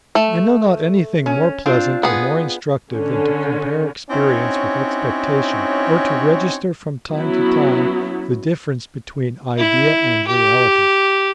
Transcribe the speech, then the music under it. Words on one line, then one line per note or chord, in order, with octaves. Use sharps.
'I know not any thing more pleasant, or more instructive, than to compare experience with expectation, or to register from time to time the difference between idea and reality.
A3
C#4
C4 D4 F4
B3 G#4
D3 C#4
C4 C#4 D#4 E4 F#4 C#5
F#3 B3 C#4 E4 F#4
E4
G4